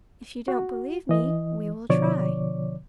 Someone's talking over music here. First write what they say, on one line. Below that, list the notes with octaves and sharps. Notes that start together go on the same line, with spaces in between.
If you don't believe me, we will try.
F#4
E3 D#5
B2 D3 F3 C#5 D5 D6